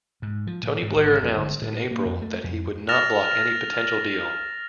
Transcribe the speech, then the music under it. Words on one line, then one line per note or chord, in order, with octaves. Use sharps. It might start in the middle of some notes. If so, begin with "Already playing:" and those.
Tony Blair announced in April that he would not block any potential deal.
G#2
F3
A2
G#2
G#1
F2
G1
A2
A#3
F2
A3
F2
F6 A6 A#6 E7 F7